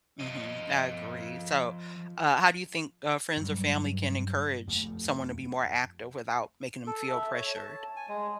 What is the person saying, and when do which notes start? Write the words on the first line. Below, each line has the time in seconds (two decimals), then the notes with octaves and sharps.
Mhm. I agree. So, uh, how do you think, uh, friends or family can encourage someone to be more active without making ‘em feel pressured?
0.20 F3 D#5
3.37 G2 F#3
4.67 F2 A3
6.87 A4
7.11 E5
7.34 C#5
7.56 A5
7.96 G#5
8.08 G#3